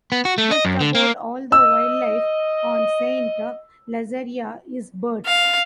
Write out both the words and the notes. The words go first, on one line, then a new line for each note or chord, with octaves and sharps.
Just about all the wildlife on Saint Lazaria is birds.
B3
F#4
A3
D#5
F#2
D3
A#3
D#5 E6
F5